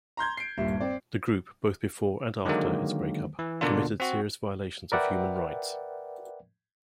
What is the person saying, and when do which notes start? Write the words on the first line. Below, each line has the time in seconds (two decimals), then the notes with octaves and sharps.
The group, both before and after its breakup, committed serious violations of human rights.
0.17 A#5 C6 G6 G#6
0.37 C7 D7
0.58 D#1 G2 A#2 E5
0.80 C4 D5
2.45 D3 D#3 F#3 G#3 A#3
3.39 E3
3.61 B2 D3 A#3 D4 F4
4.00 C4 F#4
4.92 A#4 B4 D5 E5 F#5 G5